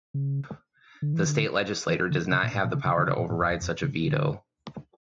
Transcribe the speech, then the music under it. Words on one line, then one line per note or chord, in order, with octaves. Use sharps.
The state legislature does not have the power to override such a veto.
C#3
D3
E3
D3
E3
D3
C#3
A#2
A2
A#2
C#3
C#3
D3
C#3
A#2
A2
F2
E2
F2
C#3
D3